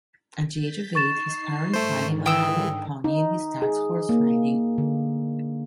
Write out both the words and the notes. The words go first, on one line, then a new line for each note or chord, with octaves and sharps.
At the age of eight, his parents buy him a Highland pony and he starts horse riding.
G6 A6 B6
D#4 C#6 A6 C7 E7
G#2 D3 D#3 A3 C5
E3 G5 D#6 E6
D#4
G#4
A#3
D3